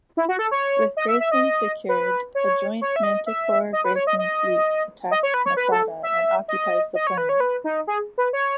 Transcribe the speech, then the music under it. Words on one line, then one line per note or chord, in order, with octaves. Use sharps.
With Grayson secured, a joint Manticore-Grayson fleet attacks Masada and occupies the planet.
E4
F#4
A4
C#5
D#5
E5
E5
D#5
B4
C#5
C#5
E5
D#5
E5
D#5
B4
C#5
D#5
D#5
D#5
C#5
B4
C#5
B4
A4
E5
D#5
D#5
C#5
B4
C#5
B4
D#4
G#4
B4
C#5